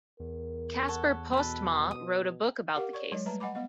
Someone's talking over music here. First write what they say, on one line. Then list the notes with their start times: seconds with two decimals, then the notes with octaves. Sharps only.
Casper Postmaa wrote a book about the case.
0.20 E2 A#4
0.88 A4 C#5 F#5
1.33 B2 A4 B4
1.91 D#6
2.76 G4 A#4 F5 F#5
2.93 C#5 D5 C#6
3.12 F#3 G#3 C#5 D#5
3.26 G3 A3 B4 E5 A5 A#5
3.40 D#5 F#5 G#5 B5 D6
3.55 B3 D#5 F#5